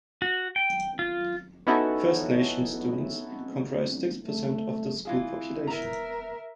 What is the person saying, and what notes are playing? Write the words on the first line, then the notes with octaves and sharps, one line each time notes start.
First Nations students comprise six percent of the school population.
F#4
G5
F4
B3 C#4 D#4 E4 F#4 A4
A3
E3 E4 F4 G#4
B3 A#4 E5 A#5